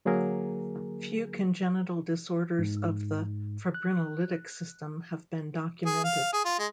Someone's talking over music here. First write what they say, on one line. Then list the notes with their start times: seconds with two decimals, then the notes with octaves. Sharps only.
Few congenital disorders of the fibrinolytic system have been documented.
0.05 D3 F#3 A#3 G#4 A#4
2.59 G#2
3.74 F#6
5.86 G#4
6.04 F5
6.33 G#4
6.45 F4
6.59 G#3